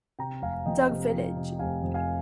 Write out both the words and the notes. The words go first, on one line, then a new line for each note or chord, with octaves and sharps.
Duck Village.
C3 G5 A#5
F1 F5 G#5
F2 D#5 G5
C3
F3
C3
F1 F5 G#5
F2
F5 G#5